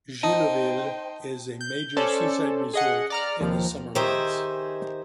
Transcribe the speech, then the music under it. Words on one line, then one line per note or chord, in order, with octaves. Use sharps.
Jullouville is a major seaside resort in the summer months.
D#4 C5 G5 A5
G6
C#4 A4 C5 D5
G#4 D#5 F#5
D5 A#5 F6
D#2 F3
D#3 D#4 G4 G#4 C5 E5